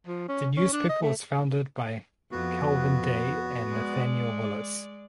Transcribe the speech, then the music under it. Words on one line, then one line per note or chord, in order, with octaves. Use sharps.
The newspaper was founded by Calvin Day and Nathaniel Willis.
F3
C#4
C#4
D4
D#5
A3
F2 B3 F#4
G#3 D5